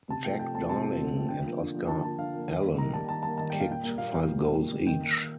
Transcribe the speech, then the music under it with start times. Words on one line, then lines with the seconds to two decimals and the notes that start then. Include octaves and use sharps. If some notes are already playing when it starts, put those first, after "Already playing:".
Jack Darling and Oscar Allen kicked five goals each.
0.09 C3 A5
0.25 F3 A3 C4 G5
0.39 C3 G5
0.55 F3 A3 C4 A5
0.69 C3 A5
0.84 F3 A3 C4
0.99 C3
1.14 F3 A3 C4
1.29 D3 G5
1.45 F3 A#3
1.60 D3
1.75 F3 A#3
1.88 D3 A5
2.03 F3 A#3 A5
2.18 D3 F5
2.34 F3 A#3
2.48 D#3
2.64 G3 A#3
2.78 D#3 A#5
2.93 G3 A#3 A5
3.08 D#3 A5
3.23 G3 A#3 A5
3.38 D#3 A5
3.50 G3 A#3 G5
3.60 F5
3.69 A#2 G5
3.84 G3 A#3
3.98 A#2 F5
4.13 G3 A#3
4.27 A#2
4.43 G3 A#3
4.57 A#2
4.72 G3 A#3
4.87 D#3 G5
5.02 A#3
5.18 D#3